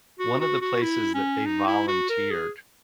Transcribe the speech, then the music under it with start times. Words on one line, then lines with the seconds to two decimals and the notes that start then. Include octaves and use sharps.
one of the places that they volunteered
0.20 F#4
0.40 F#4
0.61 F#4
0.82 E4
1.14 C#4
1.46 D#4
1.67 E4
1.88 F#4
2.09 A#4
2.31 G#4